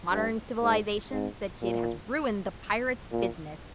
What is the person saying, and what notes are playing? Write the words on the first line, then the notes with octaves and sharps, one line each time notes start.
Modern civilization," said Kidd, "has ruined the pirate's business.
G2
G#2
G#2
A#2
A#2